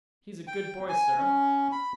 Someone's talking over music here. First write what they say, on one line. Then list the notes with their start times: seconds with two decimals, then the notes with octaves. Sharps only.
"He's a good boy, sir."
0.47 G5
0.89 G#5
1.18 C#4
1.72 B5